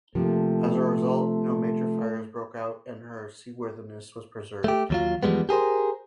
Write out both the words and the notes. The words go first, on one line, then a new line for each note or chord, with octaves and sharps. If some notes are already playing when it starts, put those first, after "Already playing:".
As a result, no major fires broke out and her seaworthiness was preserved.
C3 F3 A3 A#3
A3 G4
D#2 F#3 F4
E2 F3 G3 G#3 B3
G4 G#4 A#4 C5